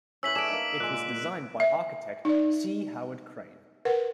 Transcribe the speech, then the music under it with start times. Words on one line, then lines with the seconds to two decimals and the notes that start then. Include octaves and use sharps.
It was designed by architect C. Howard Crane.
0.23 C#4 E4 B4 E6 B6 F#7
0.35 A3 D4 G#4 D7 E7
0.48 A#3 D#4 E6
0.80 A#2 G#3 F#6
1.60 E5
2.25 D#4 D5
3.85 A#4 B4 F#5